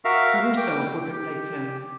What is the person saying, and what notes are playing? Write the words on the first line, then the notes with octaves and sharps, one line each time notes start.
Caruso would replace him.
F#4 A#4 E5 F5
G5 D6
G4